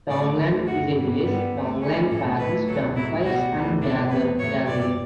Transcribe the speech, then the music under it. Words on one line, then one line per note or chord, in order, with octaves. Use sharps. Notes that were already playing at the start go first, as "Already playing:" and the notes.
Tongland is a village in Tongland Parish, Dumfries and Galloway.
A2 F#3 A3 D5
D2 C#3 E3 A3
F#2 D3 A3 F#4
G2 E3 G3
G2 D3 G3 B3
D2 D3 A3
D2 C#3 G3 C#4
A2 E3 A3 A4
A2 E3 A3 B4
D2 C#3 F#3 A4
A2 F#3 A3 E4
B2 G3 F#4
D2 C#3 E3 G3
B2 A3 D4
E2 B2 A3 B4
A2 F#3 A3 C#5
F#2 E3 G3 D5